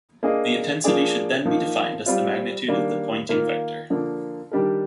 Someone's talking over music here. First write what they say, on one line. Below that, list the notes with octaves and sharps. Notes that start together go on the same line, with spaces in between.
The intensity should then be defined as the magnitude of the Poynting vector.
A#3 D4 G#4 D#5
F3 A#3 D4 G#4 D5
F3 A#3 D#4
G3 C4 F4
D#3 G3 A#3 D4
D#3 A#3 F4 A#4
D3 F3 A#3
D#3 G3 D4 G4 A#4